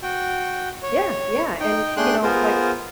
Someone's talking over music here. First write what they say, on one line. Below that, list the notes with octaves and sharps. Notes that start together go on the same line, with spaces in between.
Yeah, yeah, and you know, like,
F#4 G5
C#5
D#4 G5
A3 D4 G#4 G5 C6 F#6
B3 F4 G#4 A#4 C5